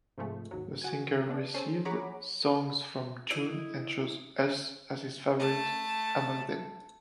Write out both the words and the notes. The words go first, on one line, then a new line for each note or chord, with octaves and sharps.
The singer received songs from Jhun and chose "Us" as his favorite among them.
G#2 C3 F3 G#3 A3
G#1 D#2 F#3
F#4 G#5
C#3 B3 D4
C#4 G#4 A4 C5
G#4 C#5 F#5 A#5 B5 D6
E4 D#5
A3 A5